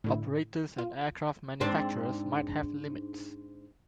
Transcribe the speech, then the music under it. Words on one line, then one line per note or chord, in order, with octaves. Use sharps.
Operators and aircraft manufacturers might have limits.
A2 D3 E4
F4
G#2 C4 D4